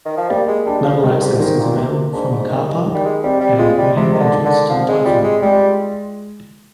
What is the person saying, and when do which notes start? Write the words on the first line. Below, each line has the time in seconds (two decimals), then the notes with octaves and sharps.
Level access is available from the car park and main entrance to the platform.
0.06 D#3
0.17 F3
0.30 G3 A#3
0.48 G#3
0.66 G3 D4
0.84 F3
1.03 D#3 G3
1.21 G#2
1.39 G#2 D#3
1.59 A#2
1.76 C3 A#3
2.12 G#2 D4
2.32 G#2
2.49 D#3 G3
2.67 D#3
2.86 D#3
2.94 G3
3.05 G#3
3.23 G3 C4
3.41 G3
3.59 G#3 F4
3.78 G3
3.96 C3 G#3
4.14 D#3
4.20 D3
4.33 D#3
4.45 D3
4.70 F3 C4
4.88 G#3
5.05 G3 F4
5.24 G#3
5.42 G3 G#3